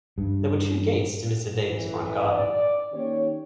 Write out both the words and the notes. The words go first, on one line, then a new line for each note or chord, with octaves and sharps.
There were two gates to Mr. Davey's front garden.
G2
A1 E3
D5
D#3 A#3 C#4 D#4 G4 C#5